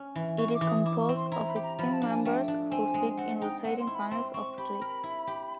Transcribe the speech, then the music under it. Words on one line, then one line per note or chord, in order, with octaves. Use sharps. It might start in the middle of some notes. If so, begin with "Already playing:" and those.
It is composed of fifteen members who sit in rotating panels of three.
Already playing: C#4
E3
E3 C#6
D6
E3
D#6
E4 D6
C#6
C4
C6
E4 A#5
B5
G4
A#5
F3 B5
A5
D4
G#5
A3 G5
D4
C4 G#5
G#3
C4 F#5
D#4 G5
C4 F#5
C6
E4
B5
C4 C6
C4 C#6
G4 B5
A#4
E4
G4